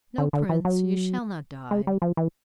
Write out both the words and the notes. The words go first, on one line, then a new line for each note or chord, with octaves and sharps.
'No, Prince, you shall not die.
D3
D3
E3
F#3
G#3
G3
F3
E3